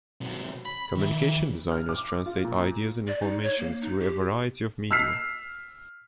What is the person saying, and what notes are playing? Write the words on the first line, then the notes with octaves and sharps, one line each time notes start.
Communications designers translate ideas and information through a variety of media.
C3 F#3
B5
D#3 E4
F6
D6
F4
A#2
D5
D#4
C#5
A#3
D#4
G4
E6 F6 B6 C7